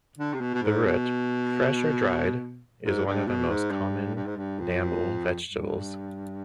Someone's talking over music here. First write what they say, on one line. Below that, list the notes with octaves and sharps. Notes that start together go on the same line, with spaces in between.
The root, fresh or dried, is one of the most common namul vegetables.
D3
C3
B2
B2
G#2
B2
G#2
G2
B2
G#2
G2
G2
G#2
G2
F2
G2